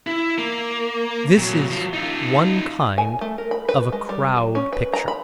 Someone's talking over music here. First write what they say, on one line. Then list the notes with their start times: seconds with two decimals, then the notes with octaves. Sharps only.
This is one kind of a Crowd Picture.
0.07 E4
0.38 A#3
1.37 A#2 F#3
1.71 F#3 F4
1.93 D#4 F4
2.98 G#5
3.21 A3
3.38 A#4
3.51 B5
3.69 B4
3.92 G#3
4.09 G3
4.36 F#3
4.55 C#4
4.73 B4
4.93 A#5
5.08 B5